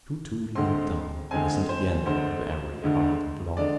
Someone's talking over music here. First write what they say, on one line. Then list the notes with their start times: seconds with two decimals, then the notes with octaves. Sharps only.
Too-Too leaned down and listened again very hard and long.
0.55 D2 D3 G#3 C4 C6
1.31 D2 D3 G#3 C4 G#5
1.69 C5
2.06 D2 D3 G#3 C5
2.82 D2 D3 G#3
3.57 D3 G#3 D5